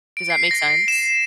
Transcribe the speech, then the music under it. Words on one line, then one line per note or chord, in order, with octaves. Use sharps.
Does that make sense?
D7
C7
A#6
E7